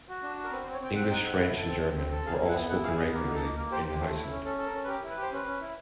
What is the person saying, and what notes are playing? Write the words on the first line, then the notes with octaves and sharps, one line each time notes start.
English, French and German were all spoken regularly in the household.
F#4
D4
F#4
A#4
C4 B4
C5
C4
C#5
C4 G5
C4 F#5
G5
D#4 F#5
C4
E4
A4
C4
C4
C4
A4
G#4 F5
E4
F#5
B3
E4 F#5
G#4 F5
B3 D#5
A#3 A#4
D#4
A4
A#3
A#3 A#4
G4 C5
G4 C5
A3 C5
E4
C#4
C#4 A4
A4
A#4
C#4
B4
G4 A#4
E4
B4
G4
C5
C#4 B4
C#4
E4